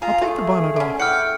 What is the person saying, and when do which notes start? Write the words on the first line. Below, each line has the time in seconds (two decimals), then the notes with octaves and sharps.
"I'll take the bonnet off."
0.02 F4 G#4 F5 A#5
0.22 A3 F4 G#4
0.76 D3 A3 C#4
1.00 E4 F#5 G5 D6 F6 C#7